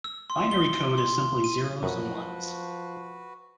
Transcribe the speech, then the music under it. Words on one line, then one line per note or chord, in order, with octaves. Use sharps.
Binary code is simply zero's and ones.
E6
C6
G7
C6
D#7
F#2 F3 F#4 B4